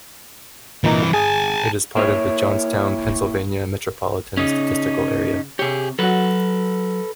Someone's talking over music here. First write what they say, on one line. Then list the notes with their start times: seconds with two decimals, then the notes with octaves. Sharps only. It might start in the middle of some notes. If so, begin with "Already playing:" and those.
It is part of the Johnstown, Pennsylvania, Metropolitan Statistical Area.
0.84 C2 A#2 E3 D#4 A#5
1.13 G#4 G#5 A5
1.97 A#3 E4 C#5
4.37 C#3 C#4 D#4
5.59 C3 G4 G#4 C#5
5.99 F#3 F#4 A4 B4